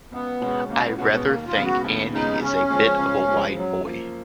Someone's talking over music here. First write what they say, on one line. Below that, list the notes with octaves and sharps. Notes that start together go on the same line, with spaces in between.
I rather think Andy is a bit of a wide boy.
C#2 B3
B2 G#3 C#4 F#4
C#2 A#3
B3
B2 G#3 B3 C#4 F#4
B3
D#2 A#3
F4
C#3 G#3 B3
F#4
D#2
C#3 G#3 B3 D#4
C#3 C#4
F3 G#3
C#3
F3 G#3
F#2 F#3
F3 A#3 F4